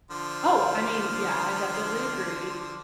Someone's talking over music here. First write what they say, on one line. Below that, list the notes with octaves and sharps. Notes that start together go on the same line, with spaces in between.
Oh, I mean, yeah, I definitely agree.
D3 F3 C6